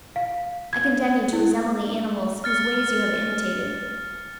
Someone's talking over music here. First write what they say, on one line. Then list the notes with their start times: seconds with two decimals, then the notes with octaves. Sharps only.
I condemn you to resemble the animals whose ways you have imitated.
0.16 F5
0.73 G#6
1.33 E4
2.44 F6 A6 C#7